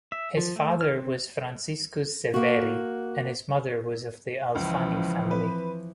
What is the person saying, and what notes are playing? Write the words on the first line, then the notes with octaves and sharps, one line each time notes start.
His father was Franciscus Severi, and his mother was of the Alfani family.
E5
F3
A3
F6
C4
A#3 F#4
C#2 C#3 E3 F3
C4 B4